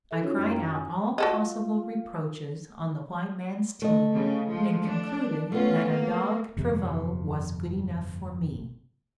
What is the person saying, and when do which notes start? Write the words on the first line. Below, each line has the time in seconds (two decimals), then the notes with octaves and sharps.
I cried out all possible reproaches on the white man's team and concluded that a dog-travaux was good enough for me.
0.11 E4 A4 E5
0.23 C#4 D#4 F4 F#4 C#5
0.37 F#2
0.49 G5 A#5
0.72 G#5
1.18 F4 F#4 A4 D#5
3.82 A3 D#5
4.13 C#3
4.49 F3 G#3
4.84 D4
5.52 A3 B3 C#4 F4
5.88 A#3
6.57 G1 F2 C3